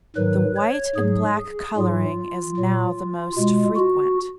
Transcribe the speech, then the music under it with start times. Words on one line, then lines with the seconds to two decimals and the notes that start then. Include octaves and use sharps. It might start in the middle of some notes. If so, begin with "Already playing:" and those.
The white and black colouring is now the most frequent.
0.16 G#2 D#3 F#3 B4
0.56 C#5
0.96 G#2 F#3 G#4
1.76 G#2 F#3 F4
2.57 A#2 F#3
3.36 B2 G#3 F4
3.76 F#4